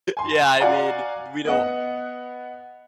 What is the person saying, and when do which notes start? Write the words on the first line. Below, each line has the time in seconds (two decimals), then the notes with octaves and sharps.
yeah, I mean, we don't
0.17 G#5 C6
0.60 F#4 D5 F5 F#5 G#5 A#5
1.45 B3 D#5 F#5